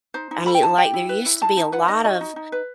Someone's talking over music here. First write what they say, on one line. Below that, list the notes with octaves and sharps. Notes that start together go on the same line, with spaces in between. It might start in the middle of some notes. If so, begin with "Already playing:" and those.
I mean, like, there used to be a lot of
D#4 C5
D#4
A4 B5
G5
D#4 A5
G4 G5
E4
B4
E4
D#4 A5
D#4
B4 F#5
D#4 D#5
F#4 D#5
D#4
D#4
B4